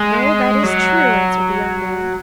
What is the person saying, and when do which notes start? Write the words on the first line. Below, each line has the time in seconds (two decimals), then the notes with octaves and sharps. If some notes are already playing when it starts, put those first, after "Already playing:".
'No; that is true,' answered the young man.
Already playing: G#3
0.63 F#3